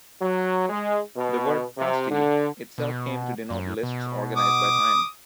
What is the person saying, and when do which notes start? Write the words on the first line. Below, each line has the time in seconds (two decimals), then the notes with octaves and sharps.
The word "fasti" itself came to denote lists organized by time.
0.22 F#3
0.69 G#3
1.16 B2
1.78 C3
2.11 D3
2.78 B2
3.50 F#2
3.83 B2
4.36 D6 D#6